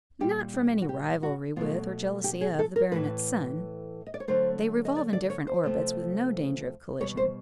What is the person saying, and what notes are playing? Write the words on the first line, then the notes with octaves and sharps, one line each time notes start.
Not from any rivalry with, or jealousy of, the baronet's son: they revolve in different orbits, with no danger of collision.
A#2 G3 G4
G4
F#4
G4
F#4
B2 F#3 A3 F4
G4
G#4
A4
A#4
A2 E3 A3 B4
D#5
D5
C#5
D3 F#3 A3 C5
D#5
D5
D5
C#5
C5
C3 F3 A3
B2 G3 C#5
C5